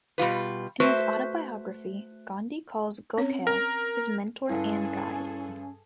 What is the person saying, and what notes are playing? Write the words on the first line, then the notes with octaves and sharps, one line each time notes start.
In his autobiography, Gandhi calls Gokhale his mentor and guide.
B2 G3 F4 B4
A3 F#4 B4 C5 E5
C4 C#4 C#5
A#4
G2 D3 C#4 E4 G#4 A4